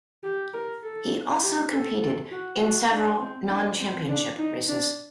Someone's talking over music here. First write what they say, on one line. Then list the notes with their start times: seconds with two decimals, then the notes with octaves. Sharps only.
He also competed in several non-Championship races.
0.23 G4
0.53 A#4
0.83 A4
1.43 G4
1.72 A4
2.01 A4
2.31 F#4
2.62 F#4
2.91 D4
3.20 C4
3.50 D4
3.79 C4
4.09 D4
4.38 D#4
4.68 D4